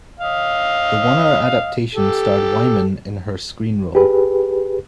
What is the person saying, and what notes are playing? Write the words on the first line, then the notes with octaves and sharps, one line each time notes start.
The one-hour adaptation starred Wyman in her screen role.
D#5 F5
G4 A4
G4 G#4 B4